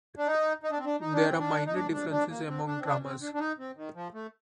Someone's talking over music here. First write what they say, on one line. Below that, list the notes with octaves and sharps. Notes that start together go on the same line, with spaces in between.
There are minor differences among dramas.
D4
D#4
D#4
D4
C4
D4
D#4
D4
C4
D4
D#4
D4
D4
D4
A#3
C4
D4
C4
D4
C4
D4
D4
D#4
C4
D#3
F3
A3